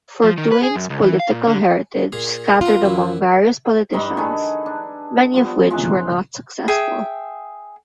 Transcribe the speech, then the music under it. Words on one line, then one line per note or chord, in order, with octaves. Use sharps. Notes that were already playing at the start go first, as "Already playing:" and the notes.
Fortuyn's political heritage scattered among various politicians, many of which were not successful.
F3
D#3
B4
G#4
F#2
C#2
E3
F5
A#2
D3
A#2 G#4 F5
B3 F4 A#4
F#2 E3 E4
G2 G3 D#4 B5
D#3 G#4 A4 B4
D4
F3 G3 B3
F#2 E3 F3 G#3
G#4 E5 G5